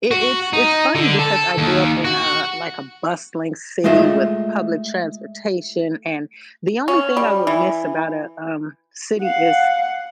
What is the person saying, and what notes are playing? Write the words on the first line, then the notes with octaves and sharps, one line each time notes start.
it it's it's funny because I grew up in a, like, a bustling city with public transportation, and the only thing I would miss about a, um, city is
F#4
D#4
D3
A4
D#2
F#4
G#3 A3 F4 D#5 E5
C#4
G3
E3
F5 F#5